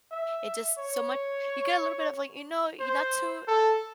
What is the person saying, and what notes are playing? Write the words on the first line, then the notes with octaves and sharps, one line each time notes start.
It just so much you get a little bit of, like you know, you're not too
E5
C#5
C5
A4